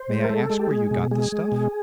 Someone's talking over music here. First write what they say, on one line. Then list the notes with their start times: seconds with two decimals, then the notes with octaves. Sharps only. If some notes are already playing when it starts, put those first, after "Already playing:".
"May I ask where you got the stuff?"
Already playing: C5
0.10 G#3
0.24 A#4
0.30 G#3 A4
0.50 G#3
0.59 G4
0.71 G#3 G#4
0.91 B2
1.11 G#3 G#4
1.32 G#3
1.52 B2